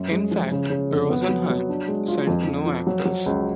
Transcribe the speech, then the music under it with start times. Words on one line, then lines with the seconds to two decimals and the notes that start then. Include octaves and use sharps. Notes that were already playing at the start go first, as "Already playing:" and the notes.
In fact, Rosenhan sent no actors.
Already playing: F#2
0.11 G#3
0.31 F3
0.52 C#3
0.70 C#3
0.91 F2
1.10 B3
1.29 F#3
1.50 F#3
1.69 D4
1.88 G#3
2.08 F4
2.27 F2
2.47 F3
2.66 F3
2.87 F#3
3.05 F#3
3.26 C#2